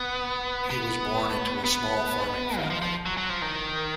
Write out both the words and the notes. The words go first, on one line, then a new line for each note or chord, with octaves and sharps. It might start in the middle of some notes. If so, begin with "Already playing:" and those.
He was born into a small farming family.
Already playing: B3
B3
B3
D#3
F3
F3
F#3
F#3
F3
D#3